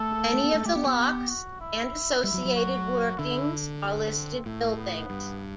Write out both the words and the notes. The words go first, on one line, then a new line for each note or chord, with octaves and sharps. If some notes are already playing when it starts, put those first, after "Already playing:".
Many of the locks and associated workings are listed buildings.
Already playing: A3 A4
A3
B3
A3
A3 G4
B3
B3
F#4
E4
G3 E4
F#3
F#3
F#4
D3 E4
C4
A2 A3
B3
G2